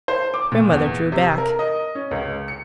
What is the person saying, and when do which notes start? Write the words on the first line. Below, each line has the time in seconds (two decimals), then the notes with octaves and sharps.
Grandmother drew back.
0.08 C5
0.34 D6
0.52 A#2
0.72 E2
1.12 C3
1.38 A#4
1.59 D#5
1.95 C#4
2.11 C#2
2.48 C#7